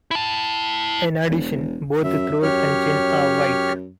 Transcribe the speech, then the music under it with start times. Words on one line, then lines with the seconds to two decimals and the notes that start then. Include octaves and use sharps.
In addition, both the throat and chin are white.
0.11 E4 A5
1.29 E1
2.04 F#2 E5
2.43 F#2 G4 C#5 F6